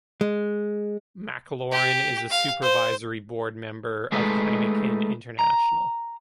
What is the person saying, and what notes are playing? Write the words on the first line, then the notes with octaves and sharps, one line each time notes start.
MacLaurin is a supervisory board member of Heineken International.
G#3
G4
F5
C5
G#3 A3 D#4 B4
A#5